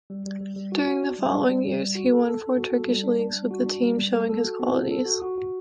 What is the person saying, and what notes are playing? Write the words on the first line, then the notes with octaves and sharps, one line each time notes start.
During the following years,he won four Turkish Leagues with the team, showing his qualities.
G3
G3
G3
G3
F#4
F#4
D4
G3
D4
G3
G3
G3
F#4
A4
A4
A4
F#4
A4
G3
D4
D4
G3
F#4
D4
G3
G3
A4
A4
F#4
B3
A4
A4
F#4
F#4
F#4